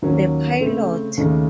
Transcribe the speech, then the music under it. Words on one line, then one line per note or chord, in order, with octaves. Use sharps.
The Pilot.
D#2 D#3 F#3 A#3 C#4
C#3 A3 C4
D#2 C#3 A3 D#4